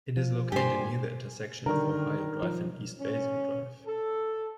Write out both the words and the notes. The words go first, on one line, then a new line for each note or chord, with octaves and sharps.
It is located near the intersection of Ohio Drive and East Basin Drive.
F3
G2 A#2 D3 G4 C5 G#5
D3 D#3 G3 A#4
F3
C#4
A4